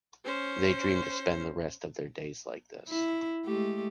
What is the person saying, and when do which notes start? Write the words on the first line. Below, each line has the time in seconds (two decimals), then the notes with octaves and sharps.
They dream to spend the rest of their days like this.
0.25 C#4 C5
2.88 E4
3.45 G#3 A3 G4